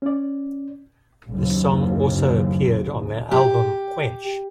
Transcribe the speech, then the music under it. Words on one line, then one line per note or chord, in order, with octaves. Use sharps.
The song also appeared on their album "Quench".
C#4 D5
F#1 D#2
G4